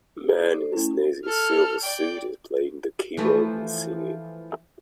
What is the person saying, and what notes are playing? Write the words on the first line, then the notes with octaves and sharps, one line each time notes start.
A man in a snazzy silver suit is playing the keyboard and singing.
A4 C5 D5
A3 C#4 D4 E4
A4 F6
D5 G5
E3 F3 A3